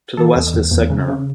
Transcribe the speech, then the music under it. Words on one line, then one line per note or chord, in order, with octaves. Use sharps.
To the west is Segner.
E3 A4
E2
E2
E2
C#3
C#3